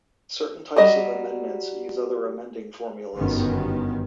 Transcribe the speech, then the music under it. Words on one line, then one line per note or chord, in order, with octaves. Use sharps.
Certain types of amendments use other amending formulas.
F#3 G3 D#5
G1 F#2 D#3 B3